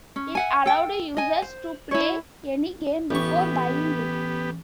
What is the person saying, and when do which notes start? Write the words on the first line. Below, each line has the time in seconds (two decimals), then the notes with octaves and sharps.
It allowed users to play any game before buying it.
0.16 C#4
0.35 E5 F#5 G#5
0.66 A4 G5
1.17 D#5 G#5
1.42 C5
1.91 E4 C#5
3.10 A1 B3 G4 C#6